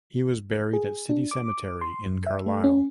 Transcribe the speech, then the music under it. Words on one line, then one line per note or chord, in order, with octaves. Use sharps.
He was buried at City Cemetery in Carlisle.
G#4
D4
D6
C6
F#2
E5
A3
C#4